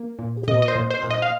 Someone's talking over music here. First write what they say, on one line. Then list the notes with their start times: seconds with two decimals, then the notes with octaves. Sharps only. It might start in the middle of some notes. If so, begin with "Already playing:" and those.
or, uh
Already playing: A#3
0.19 A#2
0.48 A#2 D#5
0.62 D#5
0.68 C5
0.76 A#2
0.91 C5
1.03 A#2
1.11 D#5
1.22 F5